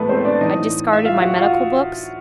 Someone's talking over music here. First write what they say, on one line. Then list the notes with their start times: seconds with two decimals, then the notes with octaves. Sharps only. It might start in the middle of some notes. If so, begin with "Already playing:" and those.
I discarded my medical books.
Already playing: A2 E3 G#3 A3 B3 A4 B4
0.09 C4 C5
0.25 D4 D5
0.41 A2 E3 D#4 D#5
0.93 E5
1.05 F4 F5
1.20 F#4 F#5
1.36 F4 F5